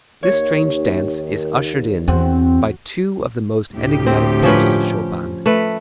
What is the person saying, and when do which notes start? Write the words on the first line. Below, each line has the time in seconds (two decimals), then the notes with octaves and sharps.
This strange dance is ushered in by two of the most enigmatic pages of Chopin.
0.23 D#2 C#5
2.08 E2 C4 F#4
3.74 D2 A2 G4
4.06 C4
4.43 F3 C#4 B4
5.46 A3 B4